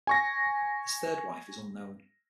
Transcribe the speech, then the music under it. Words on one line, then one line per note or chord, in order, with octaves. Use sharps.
His third wife is unknown.
G#5 C#6 A#6